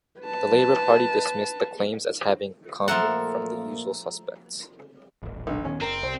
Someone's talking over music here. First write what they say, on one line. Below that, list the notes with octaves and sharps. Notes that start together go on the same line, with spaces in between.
The Labour Party dismissed the claims as having come from the "usual suspects".
B4 A5
A#2 F3 A3 A#3 A4 A#4 E5 F#5
D#1 A1
B1 D3
D#1 D#3 B3 C#4
F#1 C4 A#4
C2 C5